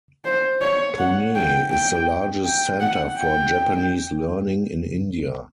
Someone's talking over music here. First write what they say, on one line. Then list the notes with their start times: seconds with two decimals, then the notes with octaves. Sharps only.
Pune is the largest centre for Japanese learning in India.
0.25 C5
0.61 C#5
0.99 F#5
1.35 G5
1.71 G5
2.44 G5
2.80 F#5
3.17 G5